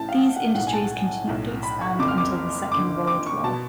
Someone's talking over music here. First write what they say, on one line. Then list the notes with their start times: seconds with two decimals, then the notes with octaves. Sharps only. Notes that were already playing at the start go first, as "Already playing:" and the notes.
These industries continued to expand until the Second World War.
Already playing: A1 A2 A5
0.09 F5
0.18 F#5
0.36 F#5
0.55 B1 A2 F#5
0.67 G#5
0.73 A5
1.27 B1 A2
1.63 B5
1.81 C#6
1.99 F#1 F2 C#3 D6
2.08 F6
2.18 D6
2.71 F#1 F#2 D3 D6
3.07 D6
3.26 C#6
3.44 B2 A5